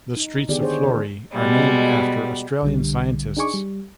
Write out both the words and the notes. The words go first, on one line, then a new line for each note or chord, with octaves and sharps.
The streets of Florey are named after Australian scientists.
D#4
D3 D#3 B3 G4 G#4 D5
D4 G#4 C5 C#5
D3 A4
B2 G3 G#3
B1 D3 G3
D4 D#4 G#4 G#5 C#6 D6
G3